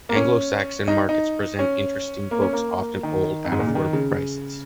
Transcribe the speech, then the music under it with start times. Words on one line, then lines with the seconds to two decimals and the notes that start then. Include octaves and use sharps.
Anglo-Saxon Markets present interesting books, often old at affordable prices.
0.09 A#3
0.16 C#4
0.88 D#4
1.09 D#4
1.59 C#4
2.31 A#3
2.42 C#4
2.53 A#3
3.03 D#3
3.45 F2
3.52 G#2
3.60 A#2
3.67 C#3
3.75 D#3
3.93 C#3
4.11 C#3